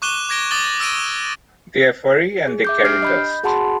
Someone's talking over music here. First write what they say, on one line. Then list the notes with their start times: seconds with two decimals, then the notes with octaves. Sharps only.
They're furry and they carry dust.
0.02 C#6 D6 F#6 D#7 E7 G7
0.29 D6 G#6 A#6 D7 G7
0.51 D6 D#6 F#6 A6 F#7 G7
0.80 E6 A#6 D7 D#7
2.47 G#4
2.64 E5 D6 G6
2.83 D4 G4 F6 C7 D7
3.02 D#5 B5 G6
3.43 F#4 G#4 F#5 A5 B5 C6